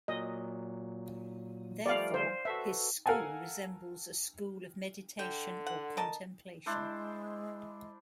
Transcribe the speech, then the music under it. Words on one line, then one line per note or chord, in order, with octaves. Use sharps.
Therefore, his school resembles a school of meditation or contemplation.
A#2 F#3 D#5
F3 G3 A3 D5 F5
C5
F#4 A4 B4 E5
A4 A#4 F5 F#5 G#5 A5
D3 G5
F#5
A#4 D#5 A5
G#3 D4 E4 C5